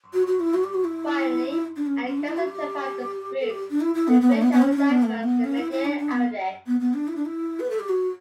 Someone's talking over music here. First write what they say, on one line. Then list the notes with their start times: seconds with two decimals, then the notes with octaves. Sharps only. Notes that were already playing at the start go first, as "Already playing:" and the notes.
Finally, Ad Council Japan distributes the finished advertisements to media outlets.
0.13 F#4
0.27 F#4
0.40 E4
0.54 F#4
0.64 G4
0.74 F#4
0.84 E4
1.76 D4
1.86 C#4
2.07 C#4
2.17 D4
2.28 E4
2.38 F#4
2.48 G4
3.40 A4
3.50 G4
3.70 D4
3.81 E4
3.94 E4
4.08 B3
4.21 B3
4.32 A3
4.42 B3
4.52 B3
4.62 C#4
4.72 D4
4.76 C#4
4.90 B3
5.03 A3
5.24 B3
5.44 C#4
5.58 E4
5.71 E4
5.85 D4
5.98 D4
6.12 B3
6.66 B3
6.80 B3
6.94 D4
7.08 E4
7.16 D4
7.25 E4
7.60 B4
7.70 A4
7.79 G4
7.89 F#4